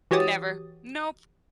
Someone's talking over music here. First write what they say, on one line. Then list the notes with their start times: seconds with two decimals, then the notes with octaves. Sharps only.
Never. Nope.
0.11 E3 F#4 G4 C#5 D#6 A6